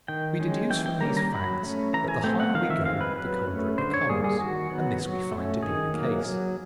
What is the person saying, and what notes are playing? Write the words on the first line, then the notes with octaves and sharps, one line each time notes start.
We deduce from these facts that the higher we go the colder it becomes; and this we find to be the case.
D#3 G5
G#3 C#4
E3 G5
G5
G3 A#3 C#4 A#5
A#5
F#3 B5
A3 C#4
E3 A#5
G#5
A3 C4 G5
F#5
D#3 F5
E5
G#3 C4 F5
B4
F#3 B4
A3 C#4
D3 C5
C#5
G3 A#3 G#4
G#4
D#3 F#4
F#3 B3
F#3
A3
C#4
D#3 G#4
F#3 A#3
F#3